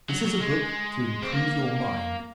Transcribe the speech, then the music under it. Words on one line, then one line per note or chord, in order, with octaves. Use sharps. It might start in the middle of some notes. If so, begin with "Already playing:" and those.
This is a book to improve your mind.
F#3
F#3
G#3
C4
A#3